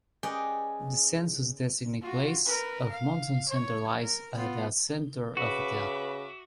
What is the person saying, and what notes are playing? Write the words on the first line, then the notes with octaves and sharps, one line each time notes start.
The census-designated place of Monson Center lies at the center of the town.
C#4 G#4 B4 D5 D#5 G5
F4 F#4
A#4 B4
F5
C#5
A#4
B3 F4
C#3 F#4 B4 E5 D6